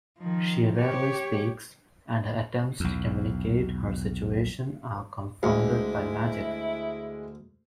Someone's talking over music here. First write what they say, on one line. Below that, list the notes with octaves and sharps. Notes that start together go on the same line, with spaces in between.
She rarely speaks, and her attempts to communicate her situation are confounded by magic.
D#3 F3
G4 C#5
B1 E2
D2 G#3 E4